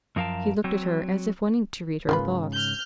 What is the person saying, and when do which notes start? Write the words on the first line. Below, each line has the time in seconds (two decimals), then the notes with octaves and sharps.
He looked at her, as if wanting to read her thoughts.
0.16 F#2 F3 A#4 F5 G5 A5
0.64 F#3 C4
2.09 G#2 C#3 A#3 F4 B4
2.52 F6 G6